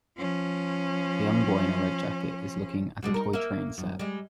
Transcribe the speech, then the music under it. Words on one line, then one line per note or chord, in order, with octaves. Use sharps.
A young boy in a red jacket is looking at a toy train set.
F3 C#4
B2 G3 G#3
D#4 A#4
A#3 E5
F#2
G3 G#3